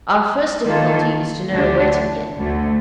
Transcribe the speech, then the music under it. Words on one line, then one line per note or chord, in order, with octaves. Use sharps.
Our first difficulty is to know where to begin.
D#3 A#3 F4 A4
D2 D3 A3 D4 G4
D2 D3 A3